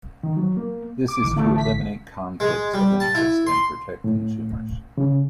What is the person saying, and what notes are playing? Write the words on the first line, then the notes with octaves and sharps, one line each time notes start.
This is to eliminate conflicts of interest and protect consumers.
D#3
F#3
A#3
D6
A1 D3 E3
A3
B6
G#3
G3
A5
E4
C6
A2
C#3